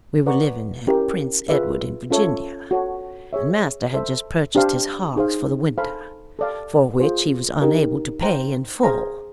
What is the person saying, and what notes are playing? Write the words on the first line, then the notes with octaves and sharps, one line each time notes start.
We were living at Prince Edward, in Virginia, and master had just purchased his hogs for the winter, for which he was unable to pay in full.
B4 D5 F#5 A#5 C#6
C#4 E4 G4 A#4
F4 G#4 B4 E5
C#4 F4 A4 C#5 E5
F#4 A4 C#5
G#4 C#5 E5
A4 C5 E5
D4 G4 C5 F5 A5
D#4 G#4 C5 F5
A4 C5 F5 G#5 B5
A4 D5 F5
F4 G#4 C5
D#4 G4 A#4 D#5
C5 E5 G5 A#5
G#4 C5 F5 A#5